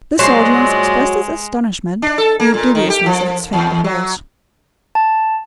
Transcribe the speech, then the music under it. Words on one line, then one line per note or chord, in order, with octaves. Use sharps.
This audience expressed its astonishment, in the dubiousness of its faint applause.
A#2 F#3 G#3 C5 D5 D#5 C6
D4
A4
A#3
A#2
D#3
G4
F3
E2
F#3
A5